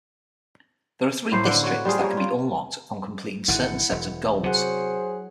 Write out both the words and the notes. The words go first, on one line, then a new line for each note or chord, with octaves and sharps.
There are three districts that can be unlocked upon completing certain sets of goals.
A2 A#3 E4 C5
D3
F#4 C#5
G3 C4 F4 G#4
G3 A#4 C#5
F4
G#1 D3 E4 F#5
E1
C3 F#3 F#4 G#4 C5 F#5